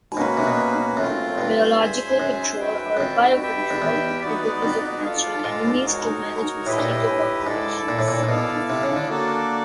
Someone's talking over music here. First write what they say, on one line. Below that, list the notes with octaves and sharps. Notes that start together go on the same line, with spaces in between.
Biological control or "biocontrol" is the use of natural enemies to manage mosquito populations.
G#2 A#3 C#4 F#4 B4
C3
B2
F#2 A3 C4 F4
G2
G#4 C5 E5 G#5
F#2
F#4 B4 E5 G5
F#2
F2
G4 B4 E5 G5
F2
E2
B3 D#4 F#4 B4 D5
F2
F4 A4 D5 F5
G#2
D#4 F#4 A#4 C#5
A2 E4 G4 B4 D#5
A#2
A2
G#2 E4 A4 D5
A#2
A2
A#2
A#2
B2 E4 A4 D5 F5
C3
C#3
D3
A#3 D4 F#4 A4 D5